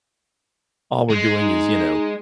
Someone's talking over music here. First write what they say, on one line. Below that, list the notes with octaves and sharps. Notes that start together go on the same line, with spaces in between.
All we're doing is, you know,
G#3
D#4